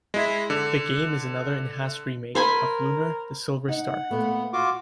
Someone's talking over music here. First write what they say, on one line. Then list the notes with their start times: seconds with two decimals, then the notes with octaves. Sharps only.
The game is another enhanced remake of "Lunar: The Silver Star".
0.14 G#3 E4 E5
0.50 D3
2.35 A#4 C5 G#5 B5
3.68 D#4 F#5
4.11 A#2 A3 B3
4.53 F4 F#4 D6